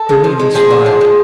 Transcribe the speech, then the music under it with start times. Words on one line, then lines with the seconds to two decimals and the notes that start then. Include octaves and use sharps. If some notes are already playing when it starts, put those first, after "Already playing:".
Bernini smiled.
Already playing: A4
0.09 G#3
0.24 F3
0.40 G#3
0.55 F3 G#4
0.71 D3
0.86 F3
1.01 F3